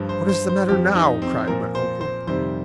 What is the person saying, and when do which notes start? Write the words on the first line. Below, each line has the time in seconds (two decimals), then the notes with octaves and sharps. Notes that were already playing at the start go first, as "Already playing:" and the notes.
"What is the matter now?" cried my uncle.
Already playing: G2 F3
0.09 C5
0.29 C5
0.49 C5
0.69 F2 F3 G4
0.95 D#4
1.22 C4
1.48 A#2 F3 A#4
1.75 C5
2.01 C5
2.27 F2 C3 D#3 G3 C5